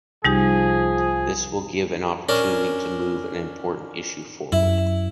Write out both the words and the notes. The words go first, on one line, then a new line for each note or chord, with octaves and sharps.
This will give an opportunity to move an important issue forward.
C2 F3 G3 D#4 G4 G#4
C#4 D4 A#4
F#2 E4